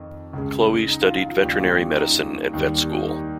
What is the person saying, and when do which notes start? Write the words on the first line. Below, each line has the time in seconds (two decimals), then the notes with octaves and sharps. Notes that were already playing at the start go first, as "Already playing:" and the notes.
Chloe studied veterinary medicine at Vet School.
Already playing: F2 D#3
0.33 C#2 C#3 G#3
0.88 D#4
1.02 F4
1.17 F4
1.29 F4
1.43 D#2 C#3 G3 G4
1.53 F4
1.62 G4
1.98 D#4
2.53 D#2 D#3 G3
3.08 D#4